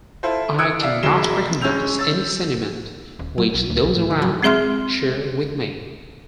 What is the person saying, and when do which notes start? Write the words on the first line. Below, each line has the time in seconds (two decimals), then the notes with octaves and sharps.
I cannot recognise any sentiment which those around share with me.
0.23 E4 F4 A4 C5
0.59 D#6 E6 F#6 G#6 C#7 D7
0.81 D5 E5 F5
1.03 E1 F#3 G#3 C7 E7 G7
1.61 G#3 C#4 C#5 E6 G6 F7
1.99 E6 A6
3.19 D#1
3.38 F#3
3.54 B1
3.70 D2
3.84 B1
3.96 A2
4.11 D#3
4.22 F#3
4.43 G#3 C4 G#4 E5 C6 F6